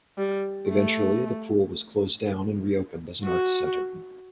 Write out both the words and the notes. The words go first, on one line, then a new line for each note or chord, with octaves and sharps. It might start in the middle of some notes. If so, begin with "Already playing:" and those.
Eventually, the pool was closed down and reopened as an arts center.
G3
A3
F#4